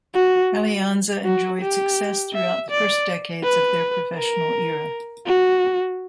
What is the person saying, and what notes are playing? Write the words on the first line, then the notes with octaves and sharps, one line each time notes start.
Alianza enjoyed success throughout the first decades of their professional era.
F#4
F#4
G4
E5
D5
B4
A#4
F#4